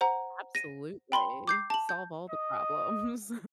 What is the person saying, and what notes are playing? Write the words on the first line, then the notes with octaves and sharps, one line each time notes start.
Absolutely, solve all the problems.
C5 F#5 A#5
A#6 D#7
G5 B5 C6 G7
D6 G6 C7
A5 F#7
G6
D#5